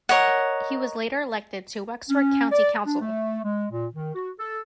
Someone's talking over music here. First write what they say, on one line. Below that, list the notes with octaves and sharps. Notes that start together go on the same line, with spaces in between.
He was later elected to Wexford County Council.
A#4 C#5 D#5 F#5
C#4
D5
D4
A3
G#3
A#2
D#3
F#4
A4